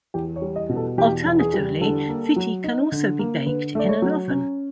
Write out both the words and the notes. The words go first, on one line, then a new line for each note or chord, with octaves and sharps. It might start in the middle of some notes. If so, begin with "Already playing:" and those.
Alternatively, phitti can also be baked in an oven.
E2 G4
C#5
G3
D#5
B2
A4
E2 G4
E2
G#4
G3
D3 A4
A#3
F#3
D#4
D3
A#3
D3 B4
A3 D5
C#5
F#3
C#4